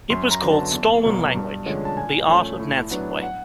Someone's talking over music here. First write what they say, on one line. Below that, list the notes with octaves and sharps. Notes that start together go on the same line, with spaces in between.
It was called "Stolen Language - the art of Nancyboy".
F#2 C6
A#5
D3 F#3 B3
A5
E2
B2 F#3 A#3
G2
D3 F3 G#3 C#4
A5
A#2 G#5
F3 A3 C#4
A2
F#3 B3 D4
F#5